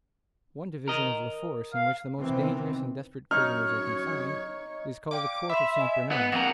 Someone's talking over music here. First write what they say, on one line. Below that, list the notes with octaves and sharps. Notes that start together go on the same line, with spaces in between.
One division of La Force, in which the most dangerous and desperate prisoners are confined, is called the court of Saint-Bernard.
A#4 D#5
F5
C3 D#3 E3 B3 C4
F#2 D#4 C#5 F6
D5 F5 G5 D6
E5 B5 C6
D#5 G#5
B3 F#5
F2 A#4 F#5 A#6